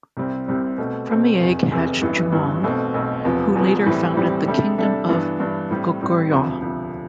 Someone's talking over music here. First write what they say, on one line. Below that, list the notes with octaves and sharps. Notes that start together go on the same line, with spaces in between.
From the egg hatched Jumong, who later founded the kingdom of Goguryeo.
C2 C3 G3 C4
C2 C3 G3 C4
B2 A3 C4
B2 A3 C4
F1 E2 C3
F1 E2 C3
A1 G2 E3 B3
A1 G2 E3 B3
B1 B2 A3 C4
B1 B2 A3 C4
E1 E2 C3 F3 B3
E1 E2 C3 F3 B3
A2 E3 G3 C4 G4
A2 E3 G3 C4 G4
C3 G3 D4 A4 E5
C3 G3 D4 A4 E5
G2 E3 B3 D4
G2 E3 B3 D4
A2 G3 C4
A2 G3 C4
E1 D2 C3 F3
E1 D2 C3 F3